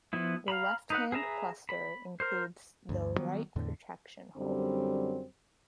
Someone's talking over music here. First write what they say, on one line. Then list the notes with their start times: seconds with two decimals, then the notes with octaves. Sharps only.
The left-hand cluster includes the write-protection hole.
0.13 F3 B3 E4
0.48 F5 A#5 B5
0.90 D#4 B4 F#5
1.12 G#4 B4 E5 A#5
1.69 B5
2.20 A#4 C5
2.89 D2 G2
3.17 D#3 F#3 G3 B3
3.56 E2 A2 D3
4.36 F#2 D3 G3 C4